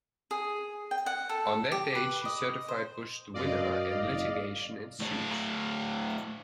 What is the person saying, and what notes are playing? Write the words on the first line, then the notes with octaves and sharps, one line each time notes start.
On that date, she certified Bush the winner and litigation ensued.
G#4
G5
F#5
A4
G4
B4
D#5
C5
F#2 D5 D#5 F5
F#1
A2 D4